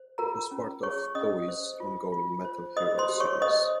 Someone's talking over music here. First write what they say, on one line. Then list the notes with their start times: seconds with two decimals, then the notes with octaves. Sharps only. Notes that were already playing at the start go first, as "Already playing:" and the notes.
It was part of Toei's ongoing Metal Hero Series.
Already playing: C5
0.18 F4 A#4 A#5
0.51 C#4
0.83 G#4 C#5 C#6
1.15 C#4 D#5 D#6
1.48 C5
1.80 F4
2.12 F4
2.44 C5
2.77 C5 D#5 D#6
2.98 C5 C6
3.09 G4
3.20 C#5 C#6
3.42 C5 D#5 D#6